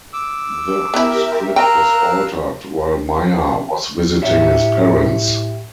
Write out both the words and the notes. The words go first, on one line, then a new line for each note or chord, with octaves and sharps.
The script was altered while Meyer was visiting his parents.
D6 E6
B3 E4 G4 A#4 E5
A#4 F5 G5 A#5 E6 F#6
A2 G4 C#5 E5